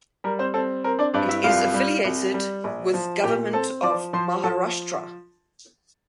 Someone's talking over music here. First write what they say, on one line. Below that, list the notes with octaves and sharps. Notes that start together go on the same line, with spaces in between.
It is affiliated with Government of Maharashtra.
G3 A#4
C4 C5
C4 A4
C4 A#4
D4 D5
G2 D4 D5
E4 E5
C2 F4 F5
G3
C2
G3
A#1
F3
A#2 G4 G5
C4 A4 A5
F3 D5 D6
F3 C5 C6
F3 A4 A5